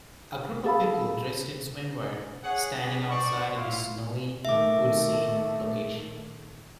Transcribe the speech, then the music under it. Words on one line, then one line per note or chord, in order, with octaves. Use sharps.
A group of people dressed in swimwear standing outside in a snowy, woodsy location.
G#4 A4 F5 B5
G#4 C#5 F#5
G3 C#4 D4 G#4 B4
C5 D5 C#6
E4 F4 F5 C6
A#2 D#3 A3 E5 D6